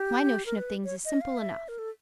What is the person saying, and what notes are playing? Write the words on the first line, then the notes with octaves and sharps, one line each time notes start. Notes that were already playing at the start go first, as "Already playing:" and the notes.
My notion of things is simple enough.
Already playing: G4
A#4
B4
C#5
D#5
F5
E5
A#4
A4